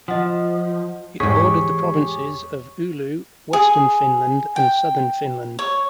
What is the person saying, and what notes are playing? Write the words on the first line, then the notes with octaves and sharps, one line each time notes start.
It bordered the provinces of Oulu, Western Finland and Southern Finland.
F3 D#5 F#5
E2 G#2 G4 G#4 C#5 C#6 B6
G#4
G5
C#5